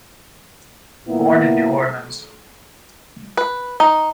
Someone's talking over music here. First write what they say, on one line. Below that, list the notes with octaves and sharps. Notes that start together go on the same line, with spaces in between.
Born in New Orleans.
A#2 A#3 B3 E4
B4
D#4